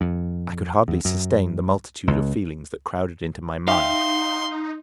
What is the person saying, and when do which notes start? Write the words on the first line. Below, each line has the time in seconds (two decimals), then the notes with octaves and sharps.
I could hardly sustain the multitude of feelings that crowded into my mind.
0.01 F2
0.88 E2
1.05 F#2
2.07 C#2
3.68 D#4 E5 F5 G5 C6